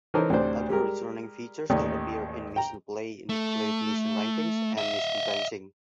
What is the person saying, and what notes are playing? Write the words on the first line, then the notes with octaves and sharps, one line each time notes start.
Other returning features that appear in mission play include mission rankings and mission branching.
E3 C#4 D#4 A4 A#4 C5
D2 A2 C3 D4 C5
G3 G#3 G4 A#4
A1 D#2 D#3 D#4 D5
G5 A#5
A3
D#5 E5